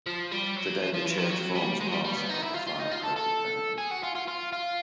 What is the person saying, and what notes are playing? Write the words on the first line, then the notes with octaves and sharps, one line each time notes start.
Today the church forms part of the Five Crosses benefice.
F3
G3
F#3
F3
F3
E3
F3
F#3
G3
G#3
F#3
G3
G3
B3
D#4
E4
F4
F4
D#4
F4
A4
A4
G#4
F#4
F4
F4
F4
F4